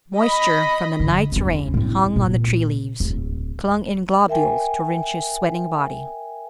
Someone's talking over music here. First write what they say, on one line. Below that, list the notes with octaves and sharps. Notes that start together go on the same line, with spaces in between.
Moisture from the night's rain hung on the tree leaves, clung in globules to Rynch's sweating body.
D#5 B5
D3
E2 C#4
A2 C4
A#2
D1
A#4 E5 G5 G#5